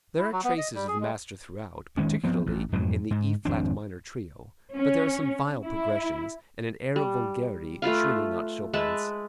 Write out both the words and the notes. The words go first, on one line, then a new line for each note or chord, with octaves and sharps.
There are traces of the master throughout, particularly in the E flat minor Trio, but there are some vile progressions and an air of vulgarity surely not Chopin's.
E4
F#3
B3
D#5
G3
G#4
G#3
D#3 G#3 C#4
F3 B3 C4
A1
F2 G#2 B2 F#3
G#2
G#1 F2 C4 D4
C#4
E4
G3
A3 F4 B4 F5
G#3 B4 E5 A5